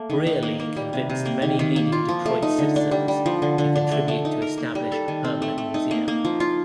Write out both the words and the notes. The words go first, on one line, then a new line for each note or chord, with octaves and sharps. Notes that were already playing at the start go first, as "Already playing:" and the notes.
Brearly convinced many leading Detroit citizens to contribute to establish a permanent museum.
Already playing: A3 A#3
D#3
D#4
A#3
A#3
G3
C3
C3
A#3
D#3
D#3
A#3
F4
F3
A3
D#4
D3
D4
G3
G3
F3
D3
D3
D4
A3
A3
D#4
A#4
A#3
G3
A4
D#3
C4
A3
A3
D#4
A#3
A#3
F3
F4